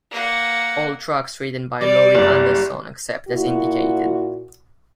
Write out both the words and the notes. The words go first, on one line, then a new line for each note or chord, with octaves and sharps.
All tracks written by Laurie Anderson except as indicated.
A#3 F#5
G3 D5
F#1
A#2 E4 F#4